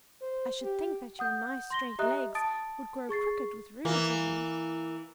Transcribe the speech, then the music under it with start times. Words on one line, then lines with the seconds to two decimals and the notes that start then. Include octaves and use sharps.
I should think that your nice straight legs would grow crooked with rheumatism.
0.21 C5
0.62 G4
1.19 F#5 D#6 G6
1.70 C6 A#6 G7
1.99 G4 D#5 E5 A#5 D#6 F#6
2.35 A5 D#6 A6 D7
3.09 G#4 C#6 A6 C7
3.85 E3 A#3